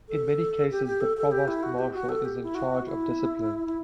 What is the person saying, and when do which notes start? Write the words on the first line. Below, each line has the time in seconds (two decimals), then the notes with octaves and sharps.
In many cases the provost marshal is in charge of discipline.
0.09 A4
0.71 G4
0.86 G4
1.01 A4
1.17 A4
1.31 G4
1.48 E4
1.63 F#4
1.78 G4
1.94 F#4
2.09 A4
2.25 G4
2.43 E4
2.55 F#4
2.86 E4
3.67 E4